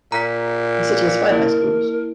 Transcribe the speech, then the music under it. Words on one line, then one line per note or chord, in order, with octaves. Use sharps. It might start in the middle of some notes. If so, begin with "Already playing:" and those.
The city has five high schools.
A#2 A#5 B6
A#3 E4 A#4